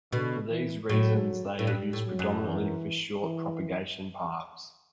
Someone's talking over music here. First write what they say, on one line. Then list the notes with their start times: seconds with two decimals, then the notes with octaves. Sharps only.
For these reasons they are used predominantly for short propagation paths.
0.12 B2 D3
0.50 E3
0.89 A2 F#3
1.59 A2
1.67 G2 G3
1.93 A2
2.05 F#3
2.19 F#2
2.45 E3
3.23 E3